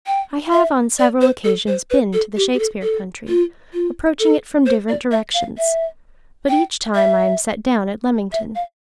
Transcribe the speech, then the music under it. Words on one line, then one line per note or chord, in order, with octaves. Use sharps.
I have on several occasions been to the Shakespeare country, approaching it from different directions, but each time I am set down at Leamington.
G5
E5
D5
C5
A4
C5
B4
A4
G4
G4
A4
A4
F4
F4
A4
C5
D5
E5
F5
E5
G5
E5
E5
F5